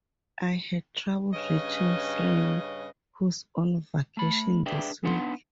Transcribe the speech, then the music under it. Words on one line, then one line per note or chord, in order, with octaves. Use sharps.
I had trouble reaching Franny, who’s on vacation this week.
G2 C#3 C#4 B4 D#5
A3 B5
D4 G#4 B4 D5 E5 G5
B3 D4 D#4 B4 F#5 C6